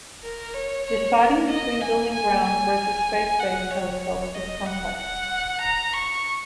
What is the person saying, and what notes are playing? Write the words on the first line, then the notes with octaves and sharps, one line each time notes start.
Deciding between building ground- versus space-based telescopes is complex.
A#4
C#5
C#5
A#4
D#5
G#5
G#5
G#5
F#5
C#5
C#5
D#5
F#5
F#5
A#5
C#6